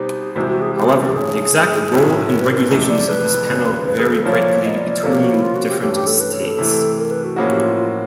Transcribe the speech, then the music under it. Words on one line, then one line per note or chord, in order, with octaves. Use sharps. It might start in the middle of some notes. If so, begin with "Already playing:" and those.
However, the exact role and regulations of this panel vary greatly between different states.
Already playing: B2 G3 C4 D#4 G4
C2 C3 E3 G#3 C4 F#4
F#4
G#4
G4
F#4
G4
G4
G2 E3 A3 C#4 G#4
B1 A2 F#3
A#4
B4
A#4
B4
F2 C3 E3 A3
D5
B4
E1 D#2 C#3 F3
B4
G#4
A4
C2 A#2 F3 A#3 C#5
D#5
D5
D5
C3 F3 A#3 C#4 A4
G4
F#4
E4
F4
F#4
G4
G2 E3 A3 C#4 E4 G4
G4
A4
B4
C#5
A4
C3 E3 A3
A#4
B4
F#4
A2 F3 A#3 C#4 F#4 G#4
G4
F4
F4